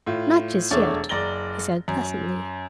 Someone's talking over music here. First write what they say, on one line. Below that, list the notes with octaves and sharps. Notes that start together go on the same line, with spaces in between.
"Not just yet," he said pleasantly.
A2 F4
E1 A3 D4 C#5 A6
F#1 D5 A#5 A#6 G7
F#2